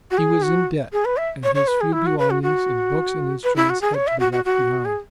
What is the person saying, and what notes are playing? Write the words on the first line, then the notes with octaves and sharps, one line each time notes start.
He was in debt, and his few belongings in books and instruments had to be left behind.
F#4
G#4
F#4
G#4
B4
E5
C#5
C#5
B4
G#4
E4
F#4
B4
F#4
F#4
B4
E4
F#4
G#4
C#5
E5
F#4
F#4
F#4
G#4